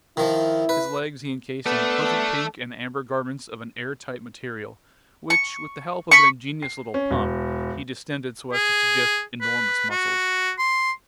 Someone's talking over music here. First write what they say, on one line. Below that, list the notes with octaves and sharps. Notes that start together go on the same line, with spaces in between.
His legs he encased in pleasant pink and amber garments of an air-tight material, which with the help of an ingenious little pump he distended so as to suggest enormous muscles.
D#3 F3 E4
B4
A3 B3 D4 A4
C#6
B5 C#6
C7
C#4
E1
G#4
B4
F#4
C6